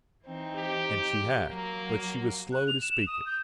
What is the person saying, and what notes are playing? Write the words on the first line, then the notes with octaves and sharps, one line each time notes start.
And she had. But she was slow to speak it.
E3 C4 D#4
G4
F#3 A#3 A#5
F#6
F7
E7
D#6
G6